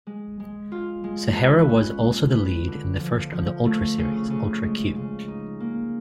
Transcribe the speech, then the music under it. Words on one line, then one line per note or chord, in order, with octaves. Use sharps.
Sahara was also the lead in the first of the "Ultra" series, Ultra Q.
G#3
G#3
F4
G#3
B4
C#4
G#3
B4
D3
F3
F3
A3
C#3
C#3
G#3
C#3
D#4
A#3